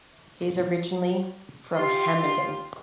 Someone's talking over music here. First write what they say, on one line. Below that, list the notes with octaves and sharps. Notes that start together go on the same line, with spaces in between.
He is originally from Hamadan.
F4 G4 C6